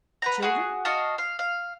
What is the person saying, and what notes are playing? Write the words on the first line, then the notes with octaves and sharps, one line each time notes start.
The children?
B4 F#5 A#5
F#4 G#4
F#4 D#5 F5 A5
F5
F5